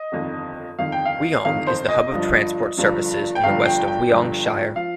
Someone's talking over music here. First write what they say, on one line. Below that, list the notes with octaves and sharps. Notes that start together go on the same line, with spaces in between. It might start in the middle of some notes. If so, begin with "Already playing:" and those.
Wyong is the hub of transport services in the west of Wyong Shire.
Already playing: D#5
G1 F2 D#3
G1 F2 D#3 F5
G5
F5
G1 F2 D#3 F5
C5
D#5
G1 G2 F3
G1 G2 F3
G5
G1 G2 F3 F5
G5
G5
G1 G2 F3
F3 F5